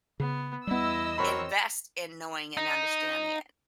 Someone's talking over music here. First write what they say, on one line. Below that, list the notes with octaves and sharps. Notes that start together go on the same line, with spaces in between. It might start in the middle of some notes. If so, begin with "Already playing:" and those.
invest in knowing and understanding it.
C#3 B3
E2 G3 B3 E4 D#5 E6
C4 F#4 A#4 C#5 B5
D#4